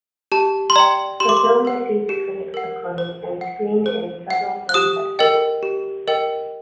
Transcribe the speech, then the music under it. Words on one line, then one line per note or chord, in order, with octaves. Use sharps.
The film received critics acclaim and screened in several film festivals.
G4 A5
C6
D5 G5 A#5
G4 C6
D6
C6
A#4 F#5
G4
A#4 F#5
C5
F#5
C5
F#5
F#6
G4 D#6
A#4 D#5 G5
G4
A#4 D#5 G5